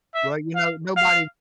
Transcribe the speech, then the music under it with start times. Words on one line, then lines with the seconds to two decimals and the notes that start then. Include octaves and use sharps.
Well, you know, nobody
0.15 E5
0.56 F5
0.97 F5